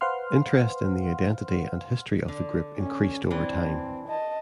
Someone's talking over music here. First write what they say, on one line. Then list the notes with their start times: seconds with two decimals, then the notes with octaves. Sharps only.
Interest in the identity and history of the group increased over time.
0.01 B4 C5 F5 F#5 C6 F6
2.28 D3
2.78 C#4
3.30 E3 C4 D4
4.08 D#5 A5